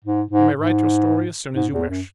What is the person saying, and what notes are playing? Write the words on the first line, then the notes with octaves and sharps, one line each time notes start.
You may write your story as soon as you wish.
G#2
G#2
G#2
G#2
E2
F#2